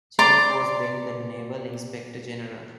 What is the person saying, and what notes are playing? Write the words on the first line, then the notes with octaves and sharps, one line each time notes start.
Church was then the Naval Inspector General.
D5 A#5 C6 D6